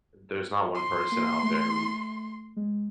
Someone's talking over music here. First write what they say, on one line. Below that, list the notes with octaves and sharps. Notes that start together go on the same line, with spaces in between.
there's not one person out there who
C6
A#3
A3
G#3